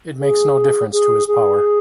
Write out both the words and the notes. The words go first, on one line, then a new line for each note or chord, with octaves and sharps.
It makes no difference to his power.
G#4
G#4
G#4